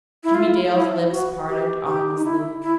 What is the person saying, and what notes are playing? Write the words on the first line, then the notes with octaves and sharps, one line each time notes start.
Jimmie Dale's lips parted ominously.
E4
F4
E4
F#4
G4
G4
D#4
E4
E4